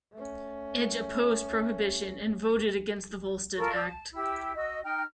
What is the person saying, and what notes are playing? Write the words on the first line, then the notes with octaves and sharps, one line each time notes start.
Edge opposed prohibition and voted against the Volstead Act.
A3 C#4
F4 A4 A#4 C#6
D5 E6
A5
E4 G4 E6
F#4 D#5 E6
D#4 G5 F6